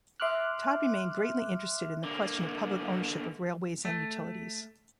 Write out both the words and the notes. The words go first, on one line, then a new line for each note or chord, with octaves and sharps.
Todd remained greatly interested in the question of public ownership of railways and utilities.
E5 C6 D6 F6 F#6
D3 A#3
A3